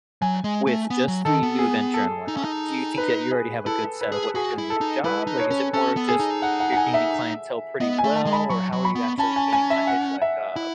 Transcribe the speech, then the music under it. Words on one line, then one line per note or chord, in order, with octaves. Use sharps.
With just the new venture and whatnot, do you think that you already have a good set of what you're doing with the job, like, is it more of just, you're gaining clientele pretty well, or how are you actually gaining client it's like, uh
F#3 G#5
G#3
A3
B3
F#3
D#3 A4
B3
G#4
A4
D#4
C#4
D#4
B4
G#4
E4 A4
B4
G#4
F#4 G#4
E4
A4
D#4
E4 B4
D#4
C#5
C#4
C#4 A4
B3
G#4
D#4
F#5
F#5
F#5
G#5
E5
B3 D#5
G#5
A3
A5
G#3
B5
F#3 C#6
F#3
B5
B3
C#4 A5
G#5
G#5
E5
F#5
E5
E4